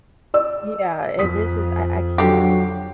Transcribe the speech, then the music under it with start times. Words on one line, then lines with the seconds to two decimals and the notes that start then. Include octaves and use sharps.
Yeah, and it's just I I can't
0.34 D5 E6
1.19 F2 D#6 B6
2.18 D3 F#3 G4 G5 C7